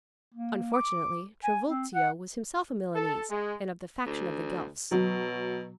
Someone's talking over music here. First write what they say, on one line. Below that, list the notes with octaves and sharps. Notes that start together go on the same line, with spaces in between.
Unfortunately Trivulzio was himself a Milanese and of the faction of the Guelphs.
A#3
D6
G#5
C4
F#5
A4
G#3
D2
B2 F#3